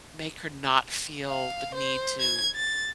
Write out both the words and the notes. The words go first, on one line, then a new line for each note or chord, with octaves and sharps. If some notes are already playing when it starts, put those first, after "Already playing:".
make her not feel the need to
F5
C5
G#6
A6